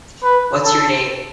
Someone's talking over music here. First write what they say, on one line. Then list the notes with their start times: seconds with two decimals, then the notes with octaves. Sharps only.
What's Your Name?
0.23 B4
0.65 A4